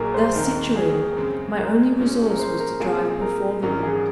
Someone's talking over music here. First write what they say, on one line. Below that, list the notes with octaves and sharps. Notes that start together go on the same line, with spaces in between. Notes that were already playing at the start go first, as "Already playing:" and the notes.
Thus situated, my only resource was to drive before the wind.
Already playing: A#1 A#2 F#3 G#4 A#4
C5
D#2 D#3 G#3 C4 D#4 A#4
G#4
F#2 C#3 G#3 C4
A#4
A#2 G#3 C#4 F4
G#4
A#4
C5
A#4
A#2 G#3 C4 F4 G#4
G#4
A#4
G#1 G#2 F#3 C#4 A#4
G#4